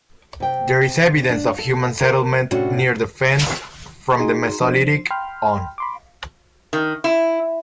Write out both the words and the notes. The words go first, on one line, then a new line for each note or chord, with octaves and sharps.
There is evidence of human settlement near the Fens from the Mesolithic on.
C3 G5
D4
A4
A#4
A2 C3 C#4 D4 F#4
D#4 F#4 G#4 G#5 A#5 C6
F3 D4 C5
G5 B5 C6 F6
B5 C6 D6
D#3
E4